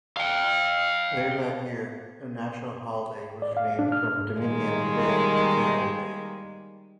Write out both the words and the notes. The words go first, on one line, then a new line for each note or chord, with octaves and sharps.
Later that year, the national holiday was renamed from Dominion Day to Canada Day.
F5 G5
D5
F5
D4
F6
D#3 G3 G#3 A#3